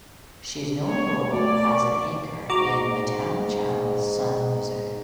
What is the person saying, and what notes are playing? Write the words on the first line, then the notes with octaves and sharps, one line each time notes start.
She is known role as an anchor in the Tamil channel Sun Music.
C#5
A3 F#4 D5
A#4 C#6
G#2 F#4 A#5 D6